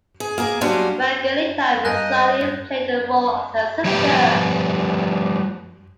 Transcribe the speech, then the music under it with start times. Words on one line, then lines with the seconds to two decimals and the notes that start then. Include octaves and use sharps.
Margherita Missoni played the role of her sister.
0.20 G#4
0.38 A#3 G#4 A#4
0.61 F#3 G3 A#3 C#4 D4 F4
1.85 G2 A#4 D#5 F5 G#5 F#6 G6 A#6
3.85 F3 G3 B3 G4 G5